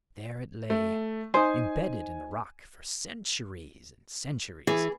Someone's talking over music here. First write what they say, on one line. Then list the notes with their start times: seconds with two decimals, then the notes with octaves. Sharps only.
There it lay, imbedded in the rock for centuries and centuries.
0.70 A3
1.34 D#4 C5 G#5
4.67 E3 G#4